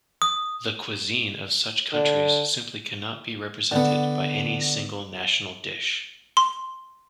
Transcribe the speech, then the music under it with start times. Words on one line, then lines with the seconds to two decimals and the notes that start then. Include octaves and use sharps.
The cuisine of such countries simply cannot be represented by any single national dish.
0.22 D#6
1.93 D3
3.71 D3 B3
6.37 C6